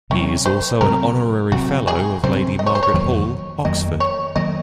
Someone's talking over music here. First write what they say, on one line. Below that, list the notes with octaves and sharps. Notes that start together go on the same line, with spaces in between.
He is also an Honorary Fellow of Lady Margaret Hall, Oxford.
C3 F#3 C4 C#4
C5
C3 F#3 C4 A#4
C3 F#3 C4 F#4
G#4
C3 F#3 C4 C5
D#5
C#5
C5
C#5
F2 D#3 F#3 A#3
F2 D#3 F#3 A#3 D#5
C#5
D#3 F#3 A#3 D#5